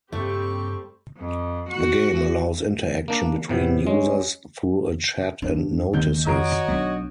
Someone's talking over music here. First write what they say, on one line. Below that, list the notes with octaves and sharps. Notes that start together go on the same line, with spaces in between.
The game allows interaction between users through a chat and notices.
G2 A#2 C#3 G3 A3 C4 G4 C#6
F2
F#4
A#3 D4
A2 C3 B3
G#3 C#4
G2 D4
D#2 D#3 G6
F2 F#4 C#5 D#5 A#5 D7
B1 A3 D4